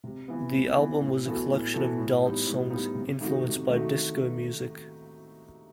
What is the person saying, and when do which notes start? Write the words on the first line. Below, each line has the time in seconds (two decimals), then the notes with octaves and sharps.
The album was a collection of dance songs, influenced by disco music.
0.04 C3
0.28 E3 B3
0.53 C3
0.77 E3 B3
1.01 A2
1.26 E3 B3 F#4 A4
1.50 A2
1.74 E3 B3 F#4 A4
1.98 A2
2.23 G3 B3 D#4
2.47 A2
2.70 G3 B3 D#4
2.95 C3
3.19 D#3 A3 D#4 F#4
3.44 C3
3.69 D#3 A3 D#4 F#4